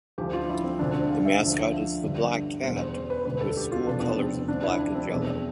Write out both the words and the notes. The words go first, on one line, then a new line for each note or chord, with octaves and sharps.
The mascot is the Black Cat with school colors of black and yellow.
D2 D3 F3 G4
F4
E4
C4
E1 D2 D3 D4
C5
F5
E5
D2 D3 F3
G1 G2 D3
E2 B2 C5
C5
C5
B4
E1 D2 D3 B4
A4
G4
F4
F1 E2 B2 D4
B3
C4
C4
D2 C3 F3 D4
E4
D4
C4
E2 B2